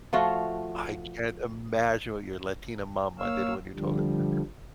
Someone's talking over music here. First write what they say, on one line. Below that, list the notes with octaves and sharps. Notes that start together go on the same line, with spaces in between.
I can't imagine what your Latina mama did when you told her.
F3 A3 F4 F#4
A#3 C#5 F5 E6
D3 F3 G3